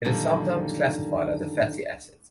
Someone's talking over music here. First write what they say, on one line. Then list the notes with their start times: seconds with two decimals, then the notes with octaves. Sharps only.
It is sometimes classified as a fatty acid.
0.05 F#2 A#2 D3 D#3 G3